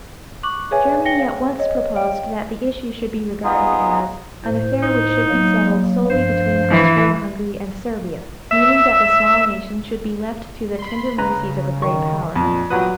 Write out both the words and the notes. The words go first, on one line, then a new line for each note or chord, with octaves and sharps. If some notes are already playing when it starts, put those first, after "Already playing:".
Germany at once proposed that the issue should be regarded as "an affair which should be settled solely between Austria-Hungary and Serbia"; meaning that the small nation should be left to the tender mercies of a great power.
C#6 D6 F#6 F#7
G#4 B4 C#5 E5 G#5
G5 A#6 C#7 G7
F5
C#5 D#5
F5 G5
B3 D#4 F4 G#4
A2 C5
D#4
F#3 A#3
G2 F3 C5 F5
E3
E5
B5 C6
C#3 B4 A#5
D#3 C#6
F2 A#2
A#2 F#3 F#4 G4 B4 D#6